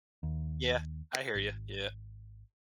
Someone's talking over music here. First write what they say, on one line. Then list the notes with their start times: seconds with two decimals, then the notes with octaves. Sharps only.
Yeah, I hear you, yeah.
0.23 D#2
1.35 G#1